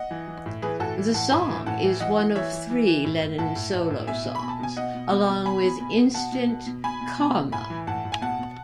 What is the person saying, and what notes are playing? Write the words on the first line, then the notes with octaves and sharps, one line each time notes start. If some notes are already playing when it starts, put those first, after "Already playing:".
The song is one of three Lennon solo songs, along with Instant Karma!
Already playing: D#5 F#5
E3
E3
A2
E3 G#4 B4
A2 F#4 A4
E3
A2 F#5 A5
A2 G#5 B5
E3
A2 F#5 A5
E3
E3 D#5 F#5
E3
E3 C#5 E5
E3
E3
E3
A2
A2
A2 F#5 A5
A2
A2
A2
B2 E5 G#5
B2
B5
B2
A5
B2 G#5
B2 D#5 F#5
B2
B2
B2
B2 G#5 B5
B2
B2
B2
B2 F#5 A5
B2
B2
B2
B2 G#5 B5
B2
B2
B2
A2 G#5 B5
E3
A2 F#5 A5
A2
G#5
B2 F#5 A5
B2